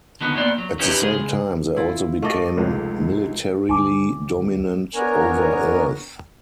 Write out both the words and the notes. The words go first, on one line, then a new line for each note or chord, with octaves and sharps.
At the same time, they also became militarily dominant over Earth.
D3 D#3 B3 D#4 F#4
A#3 B3 C5 D5
F#3
C#4 D#4 E4 G4 B4 C#5
C#3 G#3 G#4
E4 F4
A3 D#5 F5 D6 A6
F1 C#2
D2 G#5 A5 D6
B3 D4 A#4 C#5 G#5 A#5